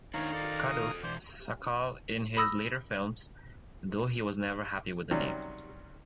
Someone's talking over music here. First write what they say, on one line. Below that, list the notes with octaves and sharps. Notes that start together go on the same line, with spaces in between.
"Cuddles" Sakall in his later films, though he was never happy with the name.
D#3 D4 D#4 C5 C#5 F5 A#5
A4 C5 D5
D#6
B2 E3 C5 D5
B5 D#6 E6 A#6
C3 D#3 F#3 G3 C#4